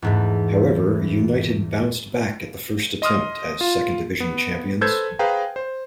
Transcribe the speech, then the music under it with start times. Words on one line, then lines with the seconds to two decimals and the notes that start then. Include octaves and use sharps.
However, United bounced back at the first attempt as Second Division champions.
0.02 E2 G#2 A3
3.02 D#5 C6 D#6 F6
3.61 F4
4.20 B3
4.81 A4 B4 C5 E6 G6 G#6
5.19 G#4 B4 C5 F5 G5 A#5
5.56 C5